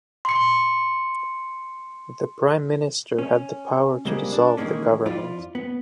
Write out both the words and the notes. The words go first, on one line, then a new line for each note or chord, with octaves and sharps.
The Prime Minister had the power to dissolve the government.
C6 C#7
C#4
C#2 C3 G3 G#3 A#3
D4
D#3 E3 F#3 G#3 A#3 C#4
F2 E4 F4 D5
B3